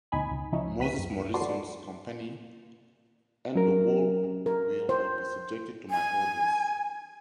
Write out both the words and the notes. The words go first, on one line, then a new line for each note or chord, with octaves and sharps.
Moses Morrison’s Company and the whole will be subject to my orders.
D2 B2 D#4 G#5 B5
C#2
C#3 F3 C#4 D#4 E4
C#2 B4 B6 D#7
F#2
F#4 A4 B4 D5 C6
F#3 C#4 A#4
A#4
C5
G#5